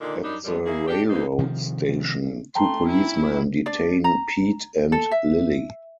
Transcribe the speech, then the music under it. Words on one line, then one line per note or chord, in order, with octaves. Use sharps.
At the railroad station, two policemen detain Pete and Lily.
A#2 D3 D#3
F#2 G3 D4 D#4
F#2 B2 F3 G3
D#3 A#3 E4 G#4
D4 G4
D3 E3 A#3 D#4 C5
C3 D#3 F3
A3 G5 A5 A#5 C6
C#4 E4
D4 D5
A#5
A4
E5